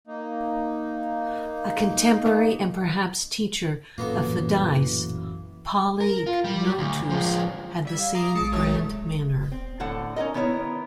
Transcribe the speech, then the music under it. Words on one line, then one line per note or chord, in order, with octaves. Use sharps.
A contemporary and perhaps teacher of Pheidias, Polygnotus had the same grand manner.
A#3 D#4
A1 F#2 A#2 E3 A#3 B3 F#4 A4
A#4
F4
G3
D2
F3 G#3
G3 E5 G#6
F5
A#5 D6 D#6 C7
A#1 G#3 A5 D6 C7 C#7
G#1 F#3 A3 C#5 A6
A3
C4
A2 D3 A4 F#5
C#4 D#4 A#4 D#5
D#3 B3 E4 A#4 C#5